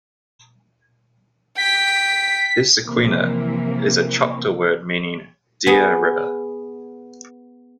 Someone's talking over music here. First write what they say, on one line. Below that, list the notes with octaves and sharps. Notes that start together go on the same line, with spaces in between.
"Issaquena" is a Choctaw word meaning "Deer River".
G5 B6
C3 E3 F3 A#3
B3 G#4